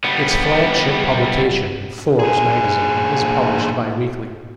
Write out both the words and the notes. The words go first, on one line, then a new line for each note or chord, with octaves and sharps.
Its flagship publication, "Forbes" magazine, is published bi-weekly.
G3 B3
A#2 G#4